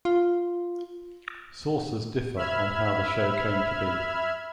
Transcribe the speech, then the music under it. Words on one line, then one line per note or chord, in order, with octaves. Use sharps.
Sources differ on how the show came to be.
F4
E5 B5 F6 G#6